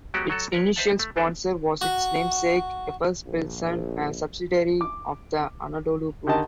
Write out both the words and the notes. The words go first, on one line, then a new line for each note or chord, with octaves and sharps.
Its initial sponsor was its namesake Efes Pilsen, a subsidiary of the Anadolu Group.
F#3 G#3 B3 C#4 F#4 G4
F#3 F#4 A4
A#4 B4 C#5
B4 C5 D#5 E5 F#5 A5
A3
E3 C4 D4 G#4 A4 B4
F#4
A#1
D6
D3 D#3 G4 D#5 A5